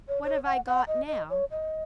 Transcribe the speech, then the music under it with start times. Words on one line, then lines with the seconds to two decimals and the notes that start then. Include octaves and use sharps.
What have I got now?
0.08 C#5
0.24 C#5
0.45 F#5
0.67 F#5
0.87 D#5
1.08 D#5
1.30 C#5
1.51 D#5